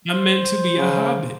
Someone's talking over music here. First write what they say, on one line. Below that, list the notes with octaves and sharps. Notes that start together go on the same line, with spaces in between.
I'm meant to be a hobbit."
C5
C#3